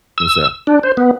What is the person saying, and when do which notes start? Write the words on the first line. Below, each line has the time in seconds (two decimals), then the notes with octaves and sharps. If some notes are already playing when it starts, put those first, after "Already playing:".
What's that?
0.18 E6
0.67 D4
0.83 C5
0.97 B3